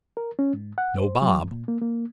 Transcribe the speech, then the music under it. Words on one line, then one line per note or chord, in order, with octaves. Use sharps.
No Bob.
A#4
C#4
G#2
F#5
C5
F#3
F2
A#2
A#3
A#3